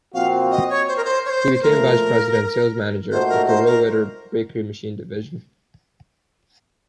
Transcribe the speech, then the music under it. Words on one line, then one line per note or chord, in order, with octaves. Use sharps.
He became vice-president and sales manager of the Rohwedder Bakery Machine Division.
A#2 F3 C4 F#4 F5
D#5
C#5
C5
A#4
C5
C#5
C5
C5
A#2 F3 A3 A#4
A#2 A3 D#4 F#4 C5
A#4
C5
A#4